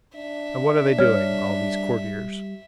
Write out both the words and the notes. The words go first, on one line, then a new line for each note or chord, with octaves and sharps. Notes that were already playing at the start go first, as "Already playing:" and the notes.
And what are they doing, all these courtiers?
D4 E5
G3 C#5 F6